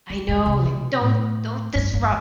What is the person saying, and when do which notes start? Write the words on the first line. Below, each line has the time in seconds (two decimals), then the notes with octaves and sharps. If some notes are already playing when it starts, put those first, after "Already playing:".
I know, like, don't don't disrupt
0.10 D3
0.29 D3
0.46 C3
0.65 B2
1.01 A2
1.75 G2
1.93 G2